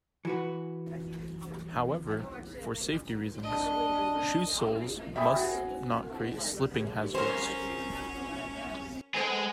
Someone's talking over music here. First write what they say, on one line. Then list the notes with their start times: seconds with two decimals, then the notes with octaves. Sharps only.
However, for safety reasons, shoe soles must not create slipping hazards.
0.25 E3 F#4 B4
3.43 D4 D#5
5.16 E5 G5 G#5 B5 D#6
5.36 F#4 G#5
7.15 F#3 C4 C#4 A#4 C5
9.14 G#3 B3 G#4 A4 C5